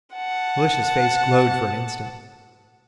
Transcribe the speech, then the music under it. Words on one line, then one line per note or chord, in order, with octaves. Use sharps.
Felicia's face glowed for an instant.
F#5 A5